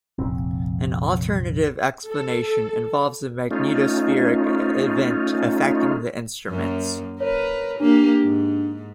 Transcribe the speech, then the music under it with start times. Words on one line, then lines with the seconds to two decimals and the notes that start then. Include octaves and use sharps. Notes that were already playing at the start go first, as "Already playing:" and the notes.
An alternative explanation involves a magnetospheric event affecting the instruments.
0.18 F1 A#1 C4
2.08 A4
3.51 A3 C#4 D#4 F4
6.48 F#2 A#3
7.20 A#4 B4 C#5
7.80 A#3 D4 G4
8.23 G#2